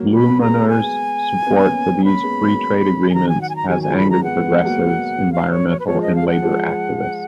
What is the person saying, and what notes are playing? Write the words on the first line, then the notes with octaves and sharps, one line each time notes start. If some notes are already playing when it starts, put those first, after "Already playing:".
Blumenauer's support for these free trade agreements has angered progressives, environmental and labor activists.
Already playing: F#3 A#3
B5
G#3 B3 A#5
G#5
B3
A#3 C#4
A#3 C#4 B5
G#3 B3
F#3 A#3
G#5
D#3 F#3 A#5
G#5
F#5
G#5
A#5
D#3 F#3 G#5
F3 G#3 G#5
B5
A#5
G#3 B3 F#5
G#3 B3
G#3 B3
F#3 A#3
F5
C#5
C#5
B4
F3 G#3 C#5
D#5
F5
F#5
F3 G#3